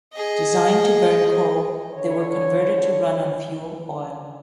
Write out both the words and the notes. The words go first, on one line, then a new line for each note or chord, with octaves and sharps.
Designed to burn coal, they were converted to run on fuel oil.
G#4 D#5
D3 C#5